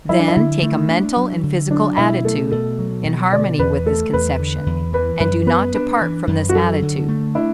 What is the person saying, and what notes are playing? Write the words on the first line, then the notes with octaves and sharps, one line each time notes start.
Then take a mental and physical attitude in harmony with this conception; and do not depart from this attitude.
F#3 E4
D4
E4
D3
A3
D4
F#3
D3
F#3 D4
B2 E4
A3 A4
B2 A4
F#3
B2
D3 D5
E2 B4
A3 A4
E2 B4
D3
E2
E3 B4
F#2 B4
B3 B4
D4 B4
E3
F#2
F#4
F#3 A4
D3
A3
D4 E4